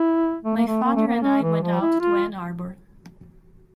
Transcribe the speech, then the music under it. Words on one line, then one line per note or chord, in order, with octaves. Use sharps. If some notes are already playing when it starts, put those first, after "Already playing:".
My father and I went out to Ann Arbor.
Already playing: E4
A3
A#3
A3
A#3
A3
A#3
C#4
E3
F3
E4
F4